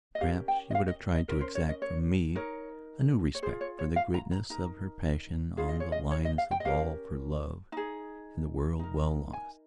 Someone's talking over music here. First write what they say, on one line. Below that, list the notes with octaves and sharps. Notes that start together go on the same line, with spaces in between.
Or perhaps she would have tried to exact from me a new respect for the greatness of her passion on the lines of all for love and the world well lost.
D#5
C#4 G4 A#4 F5
G5
D#5
F5
D#5
D#5
C#4 F4 A#4
C5
C#5
D#5
C#5
D#4 A#4 C#5
C#5
F4 G#4 C5
C#5
C#5
F5
A#5
A#5
D#4 A#4 A#5
C#4 F4 G#4 F5
D#5
C#5
D#5
C#5
D#5
F5
G5
D#5
C#4 G4 A#4 F5
D#4 G#4
D#4 A#4
G#5